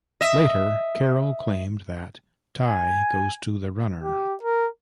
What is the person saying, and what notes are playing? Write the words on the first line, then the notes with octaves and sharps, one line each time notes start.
Later, Carroll claimed that, Tie goes to the runner.
D#5 E5
G#5
G4
A#4